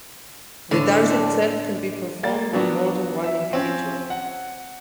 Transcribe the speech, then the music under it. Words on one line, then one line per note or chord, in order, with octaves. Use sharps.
The dance itself can be performed with more than one individual.
A2 D3
D4
A#3 A6
F3 F#3 B3 D4 F#4
E5
F3 C4 C#4
F#5